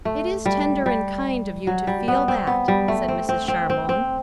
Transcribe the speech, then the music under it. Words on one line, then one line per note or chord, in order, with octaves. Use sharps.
"It is tender and kind of you to feel that," said Mrs. Charmond.
A3
G3
G3
F#3
G3
B3
C4
B3
G3
A3
C4
C4
C4
C4
C4